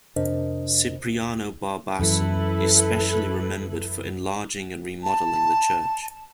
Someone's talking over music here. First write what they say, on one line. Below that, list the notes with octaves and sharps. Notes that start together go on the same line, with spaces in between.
Cipriano Barbasan is specially remembered for enlarging and remodeling the church.
F2 C3 D4 A#4 C5 D#5
F#2 E3 E4 A4 B4
A5